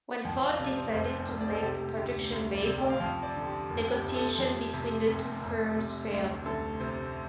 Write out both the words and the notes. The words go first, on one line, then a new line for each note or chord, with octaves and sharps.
When Ford decided to make the production vehicle, negotiations between the two firms failed.
F2 G5
F5
C3 D5
C5
F1 C5
F1
D5
C5
A4
C3 G4
D2 G4
D2
D5
C3
G5
F5
F2 G5
D5
D3
G4
F1
G4
F1
A4
F2 G4
C3
F1
F1
C3
D2
D2 A4
C3 C5